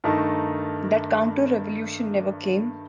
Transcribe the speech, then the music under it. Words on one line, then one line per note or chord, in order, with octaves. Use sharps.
That counter-revolution never came.
G2 D#3 A3 D#4 A#4 A5